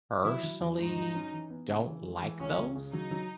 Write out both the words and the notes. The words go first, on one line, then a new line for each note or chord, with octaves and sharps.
personally don't like those.
F#3 E4
F#3
E2
G#2 D#4
F#3
C#4
E3
B3
C#3
E3
G#3
E3
C#2 C#4
C#3
C#3
F#3 D#4
F#3